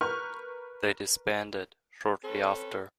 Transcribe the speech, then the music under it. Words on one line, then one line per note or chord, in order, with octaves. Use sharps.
They disbanded shortly after.
A#4 B4 C#6 F6 G6
C4 C#4 A4 B4